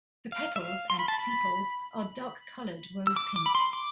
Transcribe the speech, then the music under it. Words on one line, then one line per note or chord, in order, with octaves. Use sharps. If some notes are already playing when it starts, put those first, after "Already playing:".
The petals and sepals are dark-colored, rose pink.
F5
E5
F5
C6
B5
A5
B5
E6
D6
D6
B5
C6
D6